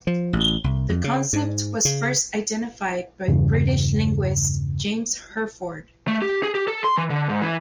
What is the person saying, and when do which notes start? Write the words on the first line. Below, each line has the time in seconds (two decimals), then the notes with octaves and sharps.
The concept was first identified by British linguist James Hurford.
0.07 F3
0.33 A1
0.64 C2
0.89 F2
1.04 C#3
1.33 G#2
1.85 C#3
3.28 E2 G2 C#3
6.08 A3
6.22 G4
6.43 G#4
6.55 G4
6.68 A4
6.84 C6
6.98 E3
7.10 D3
7.29 G#2
7.42 E3